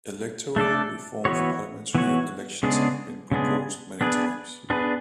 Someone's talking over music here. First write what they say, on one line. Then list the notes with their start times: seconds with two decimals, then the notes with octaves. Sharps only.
Electoral reform for parliamentary elections have been proposed many times.
0.56 A3 D4 A4 D5
1.25 E3 B3 F#4 C#5
1.95 E3 B3 F#4 C#5
2.63 C#3 G#3 B3 D4 G#4
3.32 C#3 G#3 B3 D4 G#4
4.01 B3 D4 G#4 B4
4.70 B3 D4 G#4 B4